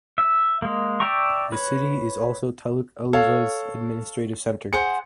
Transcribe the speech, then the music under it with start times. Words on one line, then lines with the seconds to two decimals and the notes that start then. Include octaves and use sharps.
The city is also Taluk Aluva's administrative center.
0.18 E5
0.62 G#3 A#3
1.00 D5 E5 G5 A#5 C#6
1.52 B4 C#5
3.13 A4 C#5 F5
4.73 G#4 C5 F#5 C#7